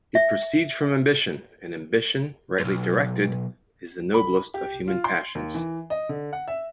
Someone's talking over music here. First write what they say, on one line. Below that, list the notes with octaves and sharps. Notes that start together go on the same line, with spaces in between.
It proceeds from ambition; and ambition, rightly directed, is the noblest of human passions.
E5
B1 F#2
B5
G4
F4
C6
D#2
E3
D#5
D3
F#5
E5